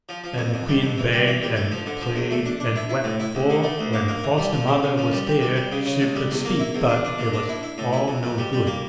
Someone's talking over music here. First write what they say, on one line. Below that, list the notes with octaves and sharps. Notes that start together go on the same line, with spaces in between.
And the queen begged and prayed, and wept; for when her foster-mother was there, she could speak--but it was all no good.
F3
F3
F2
F2
G3
F2
E3
G3
E3
G3
A3
F3
D3
F3
E2
A3
D4
D4
E4
E4
A2
E4
D2
D3
A3
D2
A#3
A#3
E3
G3
F3
C#3
C#3
F3
G3
G4
G3
G3
C#3
C#3
C#2
G3
E2
A#3
E4
E2
D4
D4
A#2
D4
E4
E4
A2
E4
F2
F2
G3
G3
A#3